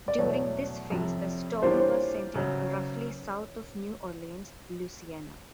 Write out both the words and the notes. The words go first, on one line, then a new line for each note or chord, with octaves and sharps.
During this phase the storm was centered roughly south of New Orleans, Louisiana.
D5
E2 B2 F#3 A3 C#5
F2 C3 F3
E3 G3 A#3 D4 F4 C5
C#5
C5
F#2 C#3 F#3